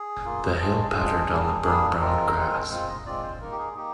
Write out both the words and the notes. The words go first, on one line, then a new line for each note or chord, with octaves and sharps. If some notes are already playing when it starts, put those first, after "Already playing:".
The hail pattered on the burnt brown grass.
Already playing: G#4
A#3 F4
G#3 D4 F4 G#4
G#3 D4 F4
G3 A#3 D4
G3 A#3 D4
G#3 C4 F4 A#4
G#3 C4 F4
G#3 C4 F4 C5
D#5
G#3 C4 F4 D5
C5
A#3 D#4 A#4
G4
G#4
A#3 D#4 G4